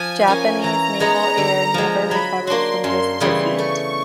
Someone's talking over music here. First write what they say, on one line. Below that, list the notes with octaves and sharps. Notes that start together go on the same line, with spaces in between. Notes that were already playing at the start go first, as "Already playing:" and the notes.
Japanese naval air never recovered from this defeat.
Already playing: F3 G#5
A#3 C#4
E3 A#5
G#3 B3 D#4
D3
F3 G#3
F#3 B5
A#3 D4 F#4 C6
F#2 C6
C#3 E3 G3 B3
A3 C#6